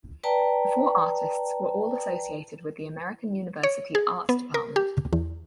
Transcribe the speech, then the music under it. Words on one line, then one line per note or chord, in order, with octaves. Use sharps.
The four artists were all associated with the American University art department.
B4 D5 G5 A5 A#5
C#5
G#4
B3
A#4
G4
E2